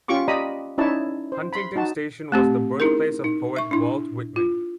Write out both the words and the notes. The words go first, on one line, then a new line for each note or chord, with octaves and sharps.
Huntington Station was the birthplace of poet Walt Whitman.
C#4 F4 G4 C#6 D6
G4 D5 D#5 A#5 B5 D#6
C#4 D#4 E4 C#5 D5 A5
C5
B5 C6
D#4 F#4 A5
A3 C4 G4
C#4 D#4 E4 G#4 A#4
D#4
E5 C#6
D4 E4
F4